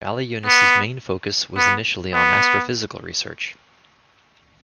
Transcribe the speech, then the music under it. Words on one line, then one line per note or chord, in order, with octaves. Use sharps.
Baliunas's main focus was initially on astrophysical research.
B3
B3
B3